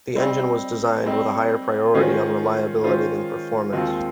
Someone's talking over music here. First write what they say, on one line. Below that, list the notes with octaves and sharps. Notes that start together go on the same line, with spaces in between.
The engine was designed with a higher priority on reliability than performance.
G3 C4 D#4
G3 C4 D#4
D#3 G#3 C#4 F4 C5
D#3 G#3 C#4 F4 C5
D#2 D#3 G#3 C4 F4